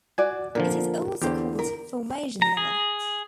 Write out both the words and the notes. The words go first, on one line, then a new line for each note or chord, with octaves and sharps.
It is also called formation level.
F#4 D5 G#5
A#2 D3 F3 A#4
E2 D3 G4 C5
A#4
A#5
G#4